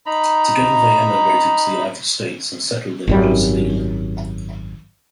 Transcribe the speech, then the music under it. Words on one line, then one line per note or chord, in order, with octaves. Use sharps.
Together they emigrated to the United States and settled in Pasadena.
D#4 A#5 B5
G#1 F#2 G3